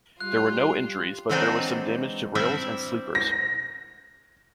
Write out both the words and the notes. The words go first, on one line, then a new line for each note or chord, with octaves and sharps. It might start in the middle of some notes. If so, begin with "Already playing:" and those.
There were no injuries, but there was some damage to rails and sleepers.
G3 F4 F#6
E3 F#3 G#3 C4 D4 D#4
G3 C4 D4 E4 E5
A#6